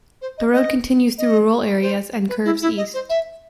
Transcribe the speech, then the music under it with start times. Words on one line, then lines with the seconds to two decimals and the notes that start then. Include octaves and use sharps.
The road continues through rural areas and curves east.
0.21 C5
0.38 D#5
0.53 D#5
1.18 D#5
1.82 C5
2.29 B4
2.45 E4
2.61 E4
2.77 D#5
2.94 C5
3.09 E5